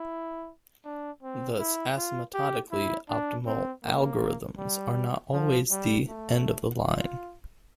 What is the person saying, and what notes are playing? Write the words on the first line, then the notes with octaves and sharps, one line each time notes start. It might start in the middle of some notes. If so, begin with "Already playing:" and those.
Thus asymptotically optimal algorithms are not always the "end of the line".
Already playing: E4
D4
C4
E4
F4
G4
E4
D4
C4
A#3
G3
F3
G3
A3
F4